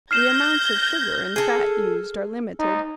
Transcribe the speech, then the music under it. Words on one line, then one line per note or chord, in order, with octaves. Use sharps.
The amounts of sugar and fat used are limited.
F6 G6 G#6 A#6 C7 E7
G#4 A4
D#4